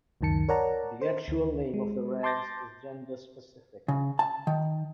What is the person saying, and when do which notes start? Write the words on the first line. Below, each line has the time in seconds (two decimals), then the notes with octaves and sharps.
The actual name of the ranks is gender-specific.
0.21 C#2 F#2 D#3 A5 C#7
0.49 A#4 C#5 D5 F#5 A5 A#5
1.01 C5
1.28 D2
1.74 G#3
2.23 A5 C6 D6 G6 A6 A#6
3.88 C#3
4.19 A5
4.47 D#3